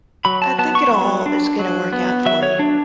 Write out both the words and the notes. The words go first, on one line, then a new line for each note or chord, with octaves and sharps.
I think it all is gonna work out for you.
F#3 B5
A5
B3 A5
C#6
F#3
D4
F#3
B3
F#3 E5
C#5
D4